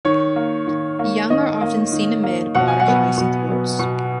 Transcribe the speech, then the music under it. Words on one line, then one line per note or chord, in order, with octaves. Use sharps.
Young are often seen amid water hyacinth roots.
D#3 C#5
A#3
D#3
A#3
D#3 D#5
A#3
D#3
A#3
B2 F#5
G#5
F#5
F#3 B3
B2
F#3 B3
B2